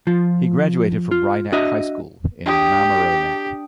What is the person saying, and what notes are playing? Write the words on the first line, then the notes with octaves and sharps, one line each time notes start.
He graduated from Rye Neck High School in Mamaroneck.
F3 F4
F4
D4 F#4 D#5 E5
D4 G4 G5 D#6